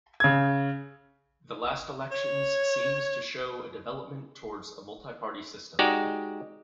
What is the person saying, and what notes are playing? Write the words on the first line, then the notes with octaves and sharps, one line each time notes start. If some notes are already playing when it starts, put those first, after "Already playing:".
The last elections seems to show a development towards a multi-party system.
C#3 G#6
C#5
G#3 D#4 F#4 G4 D5